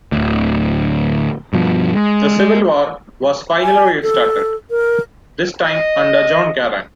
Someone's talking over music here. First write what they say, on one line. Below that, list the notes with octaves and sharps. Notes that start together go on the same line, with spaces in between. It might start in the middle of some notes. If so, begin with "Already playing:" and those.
The civil war was finally restarted, this time under John Garang.
D1 D2
G2 B2 F3
G#3
G#5
A4
A#4
D#5